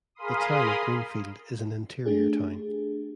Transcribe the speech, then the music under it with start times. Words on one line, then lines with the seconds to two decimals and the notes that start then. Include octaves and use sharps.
The Town of Greenfield is an interior town.
0.15 G#4 A#4 F5 B5 C6 D#6
2.06 A3 D4 G4 G#4